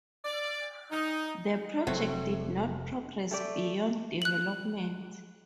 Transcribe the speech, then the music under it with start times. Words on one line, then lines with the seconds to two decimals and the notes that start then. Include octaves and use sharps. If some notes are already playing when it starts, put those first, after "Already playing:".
The project did not progress beyond development.
0.25 D5
0.92 D#4
1.87 F1 F#3 A3 C4
3.31 A3 G4 D5
4.22 F#6 F#7